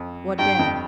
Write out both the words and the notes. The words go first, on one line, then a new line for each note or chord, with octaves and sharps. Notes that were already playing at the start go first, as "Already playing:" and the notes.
What then?
Already playing: F2
G2 G5
F2